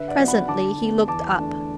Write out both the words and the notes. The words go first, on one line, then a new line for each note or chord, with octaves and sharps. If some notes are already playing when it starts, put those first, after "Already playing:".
Presently he looked up.
Already playing: D3 B4 E5
D5 F#5
F#3 B3
F#5 B5
D3 A5 D6
B3 D4
E2 A5 D6
D3 A3 D4